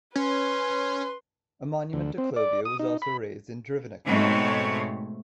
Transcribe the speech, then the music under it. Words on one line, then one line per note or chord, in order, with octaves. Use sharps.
A monument to Clovio was also raised in Drivenik.
C#4 B4 C6
D2
C4
D5
D#6
D#4
B5
G#2 B2 G#3 A3 C4 C#5